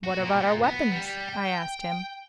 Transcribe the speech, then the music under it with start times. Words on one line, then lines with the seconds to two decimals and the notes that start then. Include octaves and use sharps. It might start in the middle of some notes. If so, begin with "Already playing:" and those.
"What about our weapons?" I asked him.
0.04 F#4
0.19 A#2
0.36 A#2
0.64 B3
0.91 G3
1.29 G5